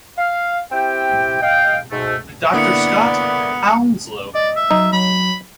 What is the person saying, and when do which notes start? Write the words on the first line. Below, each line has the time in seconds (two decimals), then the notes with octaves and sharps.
Doctor Scott, Hounslow.
0.18 F5
0.72 C4 E4 G4 G5
1.42 D#5 F5 G5
1.92 G#2 B2 A3
2.53 D3 A#3 B3 E4 D5 D#6 C#7
4.34 D5 D#5
4.56 E5
4.71 F#3 D#4
4.92 F#3 B5